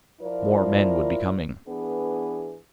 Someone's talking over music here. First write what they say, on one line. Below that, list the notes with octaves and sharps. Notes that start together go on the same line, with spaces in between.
More men would be coming.
F3 E4 F4 A#4 D5
E3 B3 D4 G#4